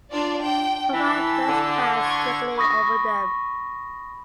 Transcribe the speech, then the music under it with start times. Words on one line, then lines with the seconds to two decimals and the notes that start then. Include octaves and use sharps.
Profiled belts pass directly over them.
0.11 D4 F4 D5
0.40 G5
0.93 E3 A5 E6
1.47 D3
1.99 C#6 G#6
2.58 B5 C#6 D#6 A#6